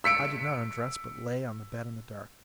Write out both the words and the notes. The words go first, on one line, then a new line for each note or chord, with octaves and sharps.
I did not undress, but lay on the bed in the dark.
E6 B6 C#7 D7